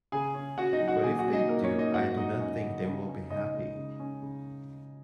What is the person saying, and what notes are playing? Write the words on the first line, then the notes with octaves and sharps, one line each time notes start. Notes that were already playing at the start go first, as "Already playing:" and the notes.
But if they do, I do not think they will be happy.
C#3 G#4 G#5
C#4
C#3 F#4 F#5
D#4 D#5
F#3
F#4 F#5
A#2 G#4 G#5
F#4 F#5
C#4
D#4 D#5
A#2 A#3 A#4
C#4 C#5
A#3
D#4 D#5
F#2 F#4 F#5
G#3 D#4 D#5
C#4
C#3
C#3
C#4
C#3 D#4 D#5
G#3
C#3
C#4
C#3